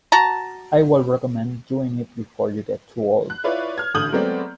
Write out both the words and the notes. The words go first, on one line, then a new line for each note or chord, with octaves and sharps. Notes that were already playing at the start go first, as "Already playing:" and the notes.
I would recommend doing it before you get too old.
F#4 A5 A#5
F#6
E4 F4 B4 C#5 D5
F6 G#6
A1 D3 D#6 G6 F#7
F#3 G#3 A3 B3 C4 D5